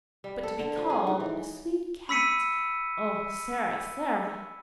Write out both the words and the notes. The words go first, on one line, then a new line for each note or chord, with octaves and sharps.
But to be called "a sweet cat!" Oh, Sara, Sara!
G3
A4
D3
F3
G#4
G#2
E3
B5 E6 B6 C#7 D#7